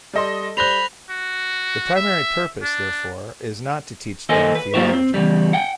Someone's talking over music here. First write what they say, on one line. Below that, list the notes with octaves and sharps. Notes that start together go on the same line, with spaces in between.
The primary purpose, therefore, is not to teach them theology.
G3 A4 D#5 C6
G3 C5 B5 F#6 A#6 F7 G7
F#4
E5
D4
D#2 A4 A#4 C5 D#5 G#5
B4
F#3 A#3 F4 G4 C5 C#5
C4
E2 G2 C#3 G3
F#5 G5